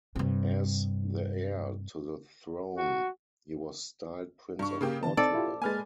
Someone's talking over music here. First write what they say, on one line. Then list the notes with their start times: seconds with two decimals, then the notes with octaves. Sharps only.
As the heir to the throne he was styled Prince of Portugal.
0.15 G2 C3
2.77 F#4
4.59 G2 C#6
4.81 C#3 A#3 G4
5.03 D3 E3 B3 A5
5.17 C4 D#4 A4 D5
5.34 E4 F4 G4
5.62 G#3 A#3 B4 G#5 F6 A6